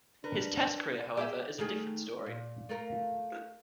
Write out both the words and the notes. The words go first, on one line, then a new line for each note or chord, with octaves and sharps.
His test career however, is a different story.
D4 A#4 B4
G4 G#4 E5
D#3 A3 G#4
A#2
A3 F4 A#4